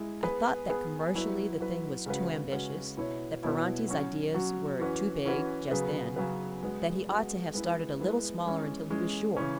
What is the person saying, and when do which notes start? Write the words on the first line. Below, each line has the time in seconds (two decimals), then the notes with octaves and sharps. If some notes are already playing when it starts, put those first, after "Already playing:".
I thought that commercially the thing was too ambitious, that Ferranti's ideas were too big, just then; that he ought to have started a little smaller until he was sure.
Already playing: G#3 E4
0.23 B3 G#4 B4
0.69 B3 G#4 B4
1.15 F#3 E4 B4
1.60 F#3 E4 B4
2.06 C#3 G#3 C#4 F#4 B4
2.51 C#3 G#3 C#4 F#4 B4
2.97 B2 B3 E4 C#5
3.43 B2 B3 E4 C#5
3.88 F#3 C#4 F#4
4.34 F#3 C#4 F#4
4.79 E3 C#4 F#4 B4
5.25 E3 C#4 F#4 B4
5.71 C#3 F#3 B3 G#4 B4
6.16 C#3 F#3 B3 G#4 B4
6.62 G#3 B3 F#4
7.09 G#3 B3 F#4
7.54 G#3 B3 E4
7.99 G#3 B3 E4
8.45 E3 G#3 C#4
8.90 E3 G#3 C#4
9.36 C#3 E3 C#4